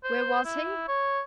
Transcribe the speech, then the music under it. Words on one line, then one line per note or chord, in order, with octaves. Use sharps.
Where was he?
C5
E4
C#5